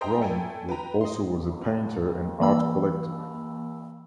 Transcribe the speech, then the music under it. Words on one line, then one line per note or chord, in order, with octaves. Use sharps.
Rome also was a painter and art collector.
C5 D#5 E5 G5 A#5 C6
A3 G5 G#5
B4 G5 A#5
D#5 C6
E3 A#3 B5 E6